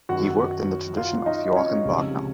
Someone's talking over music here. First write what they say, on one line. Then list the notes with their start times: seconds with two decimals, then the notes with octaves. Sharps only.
He worked in the tradition of Joachim Wagner.
0.09 F#2 D#3 F#3 F#4 F#5
0.97 F4 F5
1.26 D#4 D#5
1.56 C#4 C#5
1.85 C#2 C3 F3